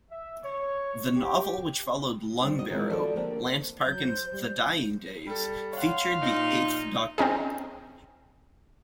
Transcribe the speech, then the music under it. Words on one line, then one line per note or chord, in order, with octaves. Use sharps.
The novel which followed "Lungbarrow", Lance Parkin's "The Dying Days", featured the Eighth Doctor.
E5
C#5
G4
G3 C4 D#4
F#4 D#5
D#3 F3 G#3 C4 E4 F4
F3 F#4 A4 D5
D3 A#3 C4 D4 G4
F#3 G6
C5
G3
G3 A4
C#5 F5 F#5 C6
A#1 D#4
C4 C#4 D#4 G#4